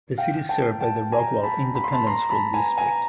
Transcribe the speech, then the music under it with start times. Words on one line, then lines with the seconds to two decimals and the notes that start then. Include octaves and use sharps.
The city is served by the Rockwall Independent School District.
0.18 F5 G5
0.49 G5 A5
0.81 G5 A5
1.12 G#5 A#5
1.43 A5 B5
1.75 B5
1.84 C6
1.92 A5 B5
2.07 A#5 C6
2.30 A5 B5
2.54 G#5 A#5
2.78 G#5 A#5